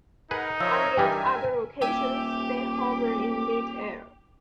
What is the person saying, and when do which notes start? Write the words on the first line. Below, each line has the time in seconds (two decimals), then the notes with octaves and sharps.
On yet other occasions, they hover in mid-air.
0.31 D#4 G#4 A#4 B4 F#5
0.60 F3 A#4 C#5 E5 E6
0.97 G2 E3 G3 A#4 E5 G5 G#5
1.82 D#1 G4 E5 G5 G#5 D6